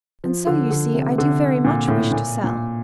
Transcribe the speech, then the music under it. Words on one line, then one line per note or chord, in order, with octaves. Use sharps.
"And so you see, I do very much wish to sell."
F3
D3
D3
C3
D3
A#2
A2
A#2
A#2